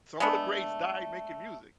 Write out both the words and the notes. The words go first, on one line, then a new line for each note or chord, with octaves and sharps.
some of the greats died making music,
G#3 A3 B3 D4